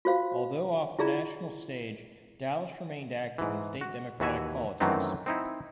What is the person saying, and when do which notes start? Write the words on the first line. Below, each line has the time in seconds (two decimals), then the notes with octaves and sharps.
Although off the national stage, Dallas remained active in state Democratic politics.
0.05 F4 F#4 C5 F5
0.99 E4 F4 G#4 D5 A#5
3.38 G#2 E3
3.81 F#4
4.20 D#2 E3 F#4 E5 G#5
4.80 F#2 D#3 E3 F#3 A3 C4
5.26 C4 D#4 E4